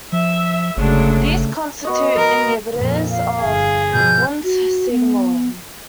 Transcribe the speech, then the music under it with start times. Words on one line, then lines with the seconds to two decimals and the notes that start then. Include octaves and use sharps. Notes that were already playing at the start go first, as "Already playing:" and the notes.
These constitute inhibitors of Wnt signaling.
0.12 F3 E5
0.77 G1 C#3 F#3 G#3 A3 D4
1.85 B3 F#4 D#5
2.17 A#4
2.74 F2 A#2
3.11 F5
3.41 G1 G#4
3.92 B2 F3 G6
4.44 F#4
4.91 B3